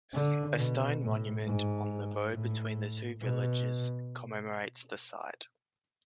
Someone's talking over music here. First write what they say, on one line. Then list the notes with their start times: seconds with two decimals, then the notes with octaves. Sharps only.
A stone monument on the road between the two villages commemorates the site.
0.14 D3
0.57 B2
1.01 A2
1.46 G#2
2.34 A2
3.21 B2